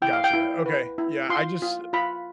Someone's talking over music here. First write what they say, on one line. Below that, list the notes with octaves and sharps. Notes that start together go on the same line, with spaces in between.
gotcha. Okay, yeah. I just
E4 G5
F5
G5
E4
B4
E4
F4 C6
F4
F4 B5